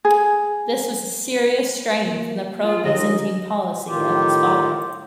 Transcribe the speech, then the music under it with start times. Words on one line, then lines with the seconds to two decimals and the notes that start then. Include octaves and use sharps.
This was a serious straying from the pro-Byzantine policy of his father.
0.05 G#4
2.06 A#3
2.63 F4
2.84 D#2 D3 F3 D#5
2.99 G#3 D#4 G#4
3.88 A2 D#3 F4 G4